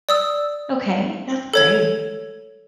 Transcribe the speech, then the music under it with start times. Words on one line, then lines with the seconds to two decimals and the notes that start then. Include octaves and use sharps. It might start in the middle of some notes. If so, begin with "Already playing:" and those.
Okay, that's great.
0.09 D5 D#6 E6
1.54 A4 C#5 G#6